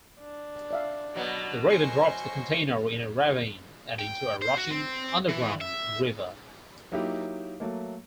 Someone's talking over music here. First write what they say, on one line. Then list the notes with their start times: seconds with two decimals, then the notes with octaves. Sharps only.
The raven drops the container in a ravine and into a rushing underground river.
0.20 D4
0.71 D5 E5 F5
1.15 B2 F#3 B3
1.69 C5 G#5 C#6 A#6
3.99 G5
4.42 C5
4.57 F#4
4.71 C4
5.29 E3
5.61 E5
6.92 F#3 A#3 D#4 E4 G4
7.60 F#3 A3 A#3